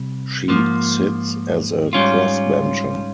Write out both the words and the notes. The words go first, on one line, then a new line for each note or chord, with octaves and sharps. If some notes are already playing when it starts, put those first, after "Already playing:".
She sits as a Crossbencher.
Already playing: C3 G3
G#2 F3 A#3
G#2 G3 C#4 F4